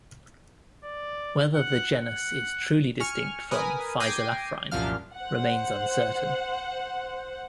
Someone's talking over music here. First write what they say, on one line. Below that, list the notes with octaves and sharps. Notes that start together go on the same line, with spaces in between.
Whether the genus is truly distinct from "Phyzelaphryne" remains uncertain.
D5
F#5
F#5
G#5 C#6 F6
A#4 B4 G#5 D#6
G5 D6 G#6 A#6 C7 D#7
C2 F#2 A#2 F3 F5 F6
C5 F#5